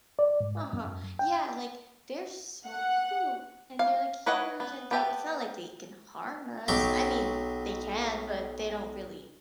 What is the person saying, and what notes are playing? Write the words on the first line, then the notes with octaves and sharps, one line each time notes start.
Uh-huh, yeah, like, they're so cool and they're, like, huge and they it's not like they can harm us, I mean they can, but they don't really
D5
G#2
F#2
G5
F#5
F5
E4 B4 C#5 D#5 F#5
B3
B3 D4 G4 E5 A5
B1 F#3 G4 C#6 D6